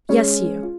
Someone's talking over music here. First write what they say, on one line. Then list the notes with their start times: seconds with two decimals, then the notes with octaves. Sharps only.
"Yes, you."
0.09 G#3 C#4 G#4 C#5
0.63 F4